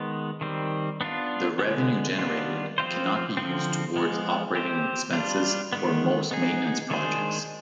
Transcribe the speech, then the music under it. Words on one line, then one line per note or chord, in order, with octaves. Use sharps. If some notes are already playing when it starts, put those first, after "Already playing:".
The revenue generated cannot be used towards operating expenses or most maintenance projects.
Already playing: D#3 G#3 B3
D#3 G3 C4
B3 D4 F4
D3 G#3 B3
D#3 G3 B3 D4 F4
F3 C4 F4 C5
D3 F3 C4
F3 G#3 B3
C4 G4 C5
G3 D4 F4
D#3 G#3 B3
B3 D#4 G#4
D#3 G#3 D4 G#4 C5